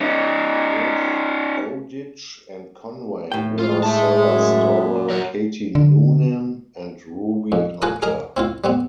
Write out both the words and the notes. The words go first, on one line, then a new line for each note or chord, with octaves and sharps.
With Bowditch and Conway were Sara Storer, Katie Noonan and Ruby Hunter.
C#4 D#4
A2 G5
G#3 F4
G#2 E5 A5
F#2
F#3 A#4 C#5
D3
F2
F4 G#4 B4 A#5 B5 D#6
G#4 A#4 D#5
C4 E4 F4
G3 B3 C4